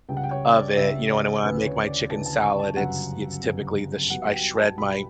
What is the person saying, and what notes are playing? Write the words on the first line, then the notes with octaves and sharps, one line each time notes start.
of it, you know, and when I make my chicken salad, it's it's typically the sh I shred my
C#2 C#3 G3 G5
F#5
G5
C#5
D5
C#2 C#3 G3 E5
D5
D2 C#3 E3 B4
C#5
D5
D2 C#3 E3 A5
A5
C#6
A5
G1 F#2 C#3 G3 F#5
G1 F#2 C#3 G3
B1 B2 G3 F#5
G5
A5
B1 B2 G3 B5